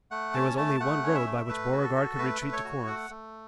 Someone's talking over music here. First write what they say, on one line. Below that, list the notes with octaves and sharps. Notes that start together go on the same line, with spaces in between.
There was only one road by which Beauregard could retreat to Corinth.
A3 F#5
C#4 A5
A3 A5
A3 F#5
C#4 C#5
E5
A3
A3 B4
F#4
A4
F#4
A3 B4
A3
C#5
F#4
A3 F#5
A3